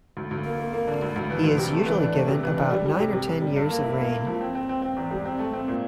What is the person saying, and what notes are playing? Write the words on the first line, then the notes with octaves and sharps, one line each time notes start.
He is usually given about nine or ten years of reign.
D2
D2
A#3
A#3
A#3
D3
D2
D2
E3
D2
C3
A3
E3
D4
A3
C3
E3
D4
G3
G3
C3
C3
C3
G3
G2
A#3
E4
A#3
A#3
F3
C4
C4
C4
C4
E2
G3
C4
A3
C4
A#2